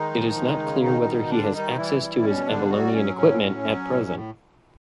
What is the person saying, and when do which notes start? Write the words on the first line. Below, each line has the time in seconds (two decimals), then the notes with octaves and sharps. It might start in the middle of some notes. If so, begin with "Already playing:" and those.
It is not clear whether he has access to his Avalonian equipment at present.
Already playing: D#3 G#3 D#4
0.11 F3
0.35 G#3
0.59 C#3
0.81 B2 D#3 D#4
1.05 G3
1.28 D3 G3 D4
1.52 D#3 G3 D#4
1.75 E3 G3 E4
1.99 G3
2.22 B2 C#4
2.46 D3 G3 D4
2.69 F#3 F#4
2.93 F#3 C#4
3.16 A2 C#4
3.41 F#3
3.64 F#3
3.87 A2
4.10 A2